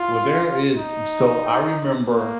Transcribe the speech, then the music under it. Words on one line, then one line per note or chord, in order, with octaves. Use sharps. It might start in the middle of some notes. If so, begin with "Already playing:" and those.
Well, there is so I remember
Already playing: F4
D#4
A#3